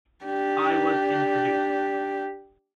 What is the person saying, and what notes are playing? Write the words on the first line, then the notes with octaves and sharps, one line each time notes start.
I was introduced.
D4 G4